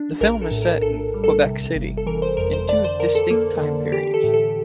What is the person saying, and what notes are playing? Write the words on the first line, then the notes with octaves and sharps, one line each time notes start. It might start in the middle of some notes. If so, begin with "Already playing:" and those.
The film is set in Quebec City, in two distinct time periods.
Already playing: D4
A#1 A#4
A4
A2
A#4
A#1 A4
G3
A4
C3
G1
A4
E3 A#4
C5
F2 A#4
C5
D3 D5
C5
D3 A#4
A4
A#3
D3
E3 G4
A4
A2
A4